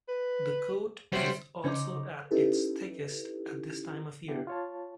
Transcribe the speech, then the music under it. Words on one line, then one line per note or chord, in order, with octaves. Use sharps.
The coat is also at its thickest at this time of year.
B4
C3 F#3 G3 C5
C#3 C#4 D#4 C5 D6
C#4 D#4 E4 G4 A4 B4
B3 D4 E4 G4
F4 C#5 A5